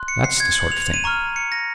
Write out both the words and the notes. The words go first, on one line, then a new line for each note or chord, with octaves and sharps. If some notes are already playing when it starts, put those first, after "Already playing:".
That's the sort of thing!'
Already playing: C6 F#6
C#7
C7
G#6
F#7
F7
F7
D#7
A#5 C#6 F6
C#7
A#6